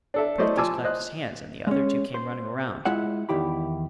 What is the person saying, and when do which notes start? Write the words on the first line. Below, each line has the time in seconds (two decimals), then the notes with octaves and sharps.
Porthos clapped his hands and the other two came running around.
0.14 D4 A4 E5
0.38 A3 E4 C5 D5 D#5
0.57 F3 G#5 A5 D6 E6
0.84 C5 D#5 F#6
1.67 G#3 C#4
2.14 C5
2.85 G#3 E4 F4 E5 F#5
3.29 E2 D#3 E4 G4 B5